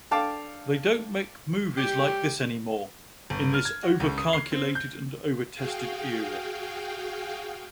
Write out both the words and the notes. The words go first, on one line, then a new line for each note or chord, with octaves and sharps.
They don't make movies like this anymore, in this overcalculated and overtested era.
D4 A4 F5 G5 A5 D6
G3 G4
G1
F6
G#6
F#4
C#2
D#6
C7
C4
G6
F#4 G#4 F5 G5